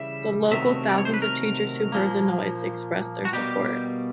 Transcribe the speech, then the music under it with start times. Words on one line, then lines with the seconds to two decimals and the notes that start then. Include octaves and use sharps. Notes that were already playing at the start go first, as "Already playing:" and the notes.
The local thousands of teachers who heard the noise expressed their support.
Already playing: C#3 E3 G3 E5
0.51 C3 D#3 F#3 A3 E5
0.90 D5
0.98 C#5
1.05 C5
1.14 B4
1.22 A#4
1.92 A#2 F3 A#3
3.25 F#4
3.33 B2 G3 A#3 G4